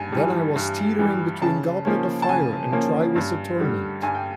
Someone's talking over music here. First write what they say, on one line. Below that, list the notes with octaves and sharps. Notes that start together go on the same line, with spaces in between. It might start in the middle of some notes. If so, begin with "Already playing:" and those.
Then I was teetering between "Goblet of Fire" and "Triwizard Tournament".
Already playing: G2 G#5 A5
E3 G3
G2
E3 G3
C#3 A5
F3 A#3 C#4
A5
C#3 G#5
F3 A#3 C#4
G2
D3 G3
G2 G#5
G5